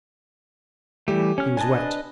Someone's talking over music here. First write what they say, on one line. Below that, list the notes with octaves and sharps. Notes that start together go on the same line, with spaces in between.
He was wet.
E3 G3 A3 G4
C#4 F6
D4 B4 D#5 G#5 A5